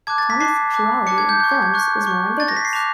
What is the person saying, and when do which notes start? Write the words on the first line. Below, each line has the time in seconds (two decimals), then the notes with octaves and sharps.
Tomie's sexuality in the films is more ambiguous.
0.07 A5 D6 F#6 G#6
0.18 A6
0.30 B6
0.40 A5 D6 F#6 C7
0.74 A5 D6 F#6
1.07 A5 D6 F#6 C#7
1.18 G#6
1.29 G6
1.40 C#6 F#6 G6
1.51 G#6
1.62 G#6
1.74 C#6 F#6
2.07 C#6 F#6
2.40 C#6 F#6 A6
2.48 A#6
2.57 B6
2.65 C7
2.73 A5 D6 F#6 F7